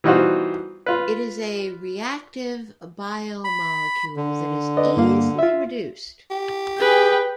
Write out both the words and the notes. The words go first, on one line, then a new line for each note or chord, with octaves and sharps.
It is a reactive biomolecule that is easily reduced.
E3 G3 D#4 F4 F#4 C5
F4 B4
B5
D3
B4 D5 D#5
G2 A#3 F5
F4 E5
G4
G#4 B4 G5